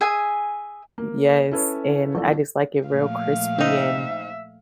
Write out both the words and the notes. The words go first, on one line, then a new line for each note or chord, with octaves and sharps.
N Yes, and I just like it real crispy, and
G#4 E5 G#5
A#3
C#4 E4 A4 B4 C#5
A#1 E3 B3 A4
A#2 F3 A3 F5
C4 D#4 E5